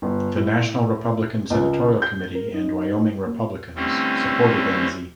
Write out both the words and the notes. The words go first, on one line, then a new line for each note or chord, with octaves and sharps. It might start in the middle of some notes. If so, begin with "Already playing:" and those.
The National Republican Senatorial Committee and Wyoming Republicans supported Enzi.
G1
A2
C#2
G6
A#4
D#4
A#3
D3 E3 G3 A3 C4 C#4